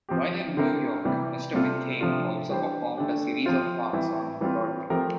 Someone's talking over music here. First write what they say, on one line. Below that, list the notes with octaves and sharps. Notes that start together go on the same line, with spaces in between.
While in New York, Mr Methane also performed a series of farts on Broadway.
F3 C4 G4
D3 A3 C4 E4 A#4
C3 E3 G3
C3 G3 C4 F4 A4
C3 F3 A3 D4 F4
E3 G3 D4 G4 C5
D3 A3 D4 G4
F3 C4 F4 C5
E3 G3 C4 E4
E3 G3 C4 F4
F3 A3 C4 G4 A#4